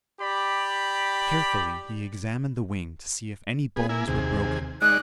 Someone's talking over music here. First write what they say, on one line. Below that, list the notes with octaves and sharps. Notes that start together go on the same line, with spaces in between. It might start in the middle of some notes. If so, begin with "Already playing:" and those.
Carefully he examined the wing to see if any bones were broken.
G4 D5 B5
B3 G#4
A#3 E4 G#5
D#2 C3 G#4
G#3 D#4 D5 F#6